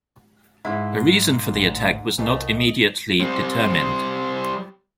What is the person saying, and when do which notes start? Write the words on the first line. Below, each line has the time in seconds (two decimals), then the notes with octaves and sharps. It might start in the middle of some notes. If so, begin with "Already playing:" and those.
A reason for the attack was not immediately determined.
0.65 G#2 D#4 E4
1.52 A1 D2
2.18 C2 E3 A3 A#3 D#5
3.20 G3 C4